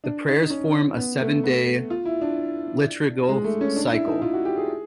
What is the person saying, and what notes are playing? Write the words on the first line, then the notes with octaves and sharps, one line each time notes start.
The prayers form a seven-day liturgical cycle.
D4
D#4
C#4
B3
A3
B3
F4
E4
D4
G#3
A3
C#4
D4
E4
D#4
F4
F#4
G4
G#4